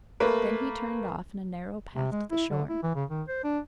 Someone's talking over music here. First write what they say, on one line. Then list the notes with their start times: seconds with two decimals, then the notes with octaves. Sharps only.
Then he turned off in a narrow path to the shore.
0.20 A3 A#3 B4
1.96 C3
2.12 G#3
2.31 E4
2.51 D3
2.69 E4
2.83 E3
2.95 C#3
3.10 D#3
3.28 C5
3.44 D4